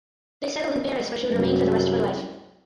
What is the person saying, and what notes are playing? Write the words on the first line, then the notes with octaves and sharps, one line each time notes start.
They settled in Paris where she would remain for the rest of her life.
C2 F#2